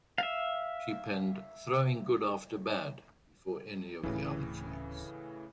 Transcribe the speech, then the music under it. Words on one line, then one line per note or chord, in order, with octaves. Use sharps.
She penned "Throwing Good After Bad" before any of the other tracks.
E5 F5
D1 A2 C#3 E3 C#4